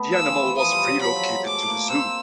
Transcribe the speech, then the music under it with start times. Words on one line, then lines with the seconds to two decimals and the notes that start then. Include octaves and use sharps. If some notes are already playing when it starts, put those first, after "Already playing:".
The animal was relocated to the zoo.
Already playing: A3 B3
0.13 F3 E6
0.28 E3
0.43 E3
0.58 F3 D#6
0.72 G3
0.87 F#3
1.02 F3 B5
1.16 F#3
1.31 G#3
1.46 A3 D6
1.68 A#3
1.89 C4 E6